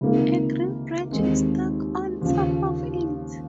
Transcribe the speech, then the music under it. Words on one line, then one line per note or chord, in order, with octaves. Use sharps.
A green branch is stuck on top of it.
C#2 C3 D#3 A#3 D#4
D#2 D#3 G#3 C4 D#4
D#2 C#3 F3